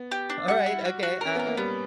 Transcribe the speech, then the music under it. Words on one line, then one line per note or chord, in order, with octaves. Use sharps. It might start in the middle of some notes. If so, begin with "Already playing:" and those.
alright, okay, uh
Already playing: B3
G4
D4
G3 F#5
E4
F#4
F#4
C#4 A#4
B3 A#4
A#3
G3 B3